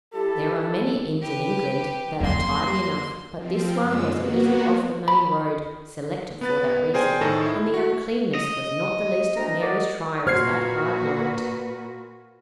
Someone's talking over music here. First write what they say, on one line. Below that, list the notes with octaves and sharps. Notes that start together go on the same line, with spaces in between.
There are many inns in England that are tidy enough, but this one was a little off the main road--selected for that reason--and the uncleanness was not the least of Mary's trials that hard night.
G3 E4 G4 A4
G4 B4
F2 F#3 A#3 C6
F3 C4
F#2 C#3 G#3 F4 E6
A#3 B3 F#4
B5
B3 B4 A6
G#4 A#4 C5 D5 G5 G#5
A2 D#3 A4 A5 A#6
E4
F#4
D#5
D2 A#5
F#4 A#4 D5
A#2 F#4 B4 C5 F6 G#6 C7